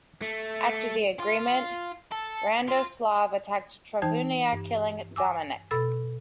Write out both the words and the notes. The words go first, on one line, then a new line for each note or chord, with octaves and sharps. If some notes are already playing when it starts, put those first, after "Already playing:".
After the agreement, Radoslav attacked Travunia, killing Domanek.
A3
F4
A4
F4
E3 D#4 C5 G5 A5 G#6
G2
G#5 D6 E6
B2 A4 B5 E6 A6